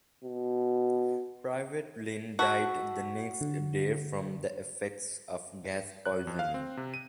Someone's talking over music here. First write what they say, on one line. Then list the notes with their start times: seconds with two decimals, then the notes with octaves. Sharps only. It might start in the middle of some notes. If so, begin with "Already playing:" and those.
Private Lynn died the next day from the effects of gas poisoning.
0.24 B2
2.39 F#4 A5 E6 B6
3.41 D3
6.06 F#6
6.27 F2
6.39 F5
6.54 C4
6.77 C3
6.94 D#7